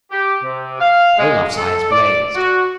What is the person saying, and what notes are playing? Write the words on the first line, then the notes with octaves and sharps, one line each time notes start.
Olaf's eyes blazed.
G4
C3
F5
G#3
A4
D5
F#4